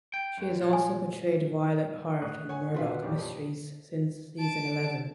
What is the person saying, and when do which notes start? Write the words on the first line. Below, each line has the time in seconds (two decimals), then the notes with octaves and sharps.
She has also portrayed Violet Hart on Murdoch Mysteries since season eleven.
0.14 G5
0.38 F#2
0.61 A#2
0.73 G#5
2.22 A2 C#6 D#6 F#6
2.49 C#5 F#5 G#5
2.74 A#2 C4 F#4 B4 F5 C6
3.02 F2 A#2 G4 C#5 D5
3.18 F3
4.38 A5 D7